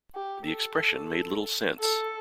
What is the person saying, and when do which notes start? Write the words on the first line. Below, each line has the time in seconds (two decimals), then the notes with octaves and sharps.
The expression made little sense.
0.15 G4
0.47 A4
1.80 A4